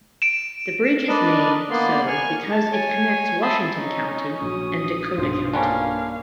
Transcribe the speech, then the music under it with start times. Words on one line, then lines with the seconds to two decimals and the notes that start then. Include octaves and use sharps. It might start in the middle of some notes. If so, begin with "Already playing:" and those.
The bridge is named so because it connects Washington County and Dakota County.
0.22 D7 E7
1.08 D4 A#4 B4 D5 D#5
1.71 A#3 B3 D5 C6
2.07 G#5 C#6 F6
2.51 A5
2.72 C#5 G#5
3.42 E5 A5 B5 C6 D#6 E6
3.77 C#4 D#4
4.41 A#1 F#3 D#6
5.18 B1 G2 F4 C5
5.53 D3 G3 A#3 C#4 F5